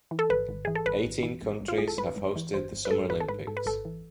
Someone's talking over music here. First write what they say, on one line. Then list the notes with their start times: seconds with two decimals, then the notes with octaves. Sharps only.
Eighteen countries have hosted the Summer Olympics.
0.11 E3
0.19 A4
0.30 G#1 B4
0.49 G#1
0.65 E3 G#4
0.75 A4
0.86 G#1 B4
1.05 G#1
1.23 E3
1.42 G#1
1.61 G#1
1.68 F4
1.78 G#1 G#4
1.88 A4
1.97 G#1 B4
2.16 G#1
2.36 E3
2.54 G#1 C5
2.73 G#1
2.85 B4
2.91 G#2 A4
3.10 G#1 B4
3.20 A4
3.29 G#2 B4
3.47 G#2 A4
3.57 B4
3.66 G#1 A4
3.85 E3